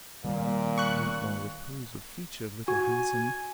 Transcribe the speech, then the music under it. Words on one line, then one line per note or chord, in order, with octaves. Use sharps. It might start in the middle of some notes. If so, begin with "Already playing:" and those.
I want more repose of feature, Little Handsome.
A#2 D#3 G3 A#3
C#6 F#6
F#4 G#5